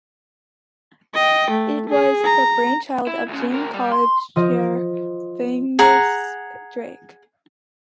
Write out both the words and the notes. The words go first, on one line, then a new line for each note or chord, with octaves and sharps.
It was the brainchild of James College Chair, Fergus Drake.
D#5 G5
A3
G#4
A#5
E4
D2 C#3
D2 A#4
G3
C6
F3 D#5
G#4 F#5 A#5